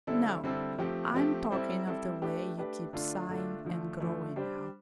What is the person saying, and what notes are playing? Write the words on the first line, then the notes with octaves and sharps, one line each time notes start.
No, I'm talking of the way you keep sighing and groaning now.
D3 G3 C4 E4 A4
D3 G3 C4 E4 A4
F3 A3 C4 G4
F3 A3 C4 G4
G3 C4 E4 A4 C5
G3 C4 E4 A4 C5
A3 D4 G4 B4
A3 D4 G4 B4
D3 A3 D4 F4
D3 A3 D4 F4
D3 F3 A3
D3 F3 A3
G3 D4 G4 C5